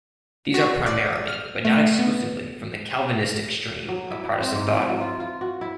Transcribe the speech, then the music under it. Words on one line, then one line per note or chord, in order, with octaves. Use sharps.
These are primarily, but not exclusively, from the Calvinistic stream of Protestant thought.
F#4
D5
F6
A3
B3
F#3
E4
E4
C4
G#2
E4
F#3
F4
F4
F#4
E4